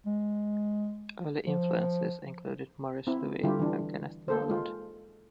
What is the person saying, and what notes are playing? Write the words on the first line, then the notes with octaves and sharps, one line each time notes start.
Early influences included Morris Louis and Kenneth Noland.
G#3
F3
C4 E4
D3 G3 E4 F4 G4
E3 D4
A#3 A4 C5
G#3 F4